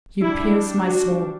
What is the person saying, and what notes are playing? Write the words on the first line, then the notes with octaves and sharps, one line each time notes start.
You pierce my soul.
G3 D4 E4
F#4